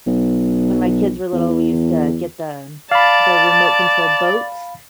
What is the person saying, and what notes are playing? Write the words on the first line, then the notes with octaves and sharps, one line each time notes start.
When my kids were little, we used to get the the remote control boats,
B1
E2
D5 F5 A5 B5